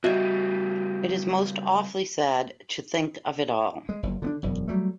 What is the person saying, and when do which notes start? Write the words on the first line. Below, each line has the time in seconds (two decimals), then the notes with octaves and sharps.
It is most awfully sad to think of it all.
0.04 C#3 G3 F#4 D#5 E5
3.89 G#3
4.03 F#1
4.22 D3 B3 D4
4.43 E1 F#2
4.68 F#3 G3 A3